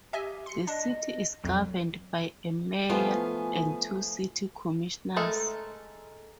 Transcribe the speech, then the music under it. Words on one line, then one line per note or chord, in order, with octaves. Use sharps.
The city is governed by a mayor and two city commissioners.
G4 D#5 E5 G#5
C6 C#7
D4 D#5
B1 F2 F#3
F3 A3 B3 F4 G#5
G#3 A3 A4 A#4